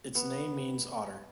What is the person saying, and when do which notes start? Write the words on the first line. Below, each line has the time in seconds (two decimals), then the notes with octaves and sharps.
Its name means "otter".
0.15 B3